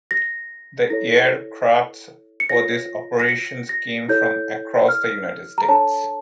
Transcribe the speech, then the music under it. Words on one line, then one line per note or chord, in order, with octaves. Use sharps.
The air crafts for these operations came from across the United States.
A#6
E4 A4 C#5 A#6
C#7
F4 A#4 C#5 A#6
A#6
C#7
A#6
E4 A4 C#5 G6
F6
A#5
D4 A4 C#5 A5